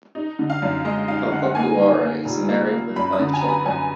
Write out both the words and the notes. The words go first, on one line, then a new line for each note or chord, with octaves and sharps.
Opoku Ware is married with five children.
D#4
D3
F5
F#2
G#3 D#5
D#4 F5
D3 F#5
A#3 G#5
D#3
A#3
F1
A#3
A#3
F#2 B5
D#6
D3
G#5
B3 A#5
B5
F#2 G#5